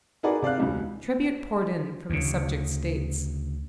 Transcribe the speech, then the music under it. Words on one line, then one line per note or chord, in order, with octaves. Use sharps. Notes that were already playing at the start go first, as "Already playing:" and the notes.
Tribute poured in from the subject States.
D#4 F#4 G#4 A#4 B4 D5
C3 D5 F5 F#6
E1 C#2 D#4
D2 C#3